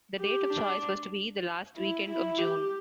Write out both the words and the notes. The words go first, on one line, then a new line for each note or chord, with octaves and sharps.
The date of choice was to be the last weekend of June.
G4
D4
E4
E4
G4